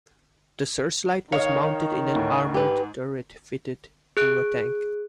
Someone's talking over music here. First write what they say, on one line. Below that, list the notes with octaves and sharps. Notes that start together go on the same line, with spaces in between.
The searchlight was mounted in an armoured turret fitted to a tank.
D#3 C#5 D#5 F5
D2 A2
G#2 G4 B4
G#4 F#6 D7